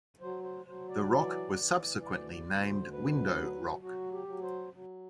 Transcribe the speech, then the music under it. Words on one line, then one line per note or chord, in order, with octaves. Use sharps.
The rock was subsequently named Window Rock.
F#3 C5
C5
F#3 C5
D5
E3 D5
E3
D2 D5
D5
D2
C5
F#2 B4
F#3
F#3 F#4
G4
F#3
C5
F#3